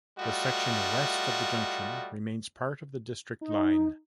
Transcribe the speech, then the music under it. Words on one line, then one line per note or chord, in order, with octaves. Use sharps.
The section west of the junction remains part of the District line.
G3 A3 F4 F#4 D#5
D#4